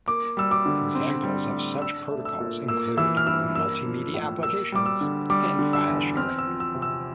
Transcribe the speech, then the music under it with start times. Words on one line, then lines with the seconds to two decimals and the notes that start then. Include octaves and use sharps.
Examples of such protocols include multimedia applications and file sharing.
0.08 A#3 D6
0.37 G3 E6
0.51 D6
0.66 D3
0.95 C4
1.24 G3
1.53 A2
1.82 D4 E6
2.11 A3
2.25 E6
2.40 A#2
2.68 A#3 E6
2.97 E3 E6
3.17 F6
3.26 G2 E6
3.55 A#3 E6
3.85 F3
4.14 A2
4.43 A#3 E6
4.72 G3 D6
4.86 E6
5.01 D3
5.30 G3 D6
5.59 D3
5.73 E6
5.88 E2
6.17 C4 F6
6.38 E6
6.46 F3
6.60 E6
6.75 C3
6.82 E6